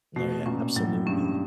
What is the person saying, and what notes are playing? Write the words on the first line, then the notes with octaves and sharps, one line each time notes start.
No, yeah, absolutely.
B2 A3
B2
A#2 C#4
A2 F#3
G2 C#4